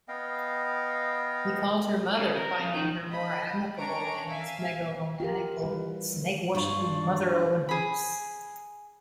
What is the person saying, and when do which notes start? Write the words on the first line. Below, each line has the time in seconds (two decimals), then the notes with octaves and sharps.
He called her "mother", finding her more amicable than his megalomaniacal snake-worshiping mother Olympias.
0.08 B3 D#5 F5 G5
2.19 C#3
2.37 A#4
2.60 C#3
2.75 D#3
3.09 D#5 B5
3.78 C#4 D4 A#5 C#6 D7
4.28 E5 F5 G#5
5.20 F4 G4 A#4
5.62 E3 G3 B4
6.55 G2 D4 F4 C#6
7.69 G#4 B5